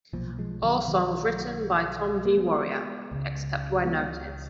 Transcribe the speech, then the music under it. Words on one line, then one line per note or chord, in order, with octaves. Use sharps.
All songs written by Tom G. Warrior, except where noted.
B1 A#2 F3
F3 G#3
D#3 F#3
D#3 F#3
A#3
G#3 B3
C#2 C#3
G#3 B3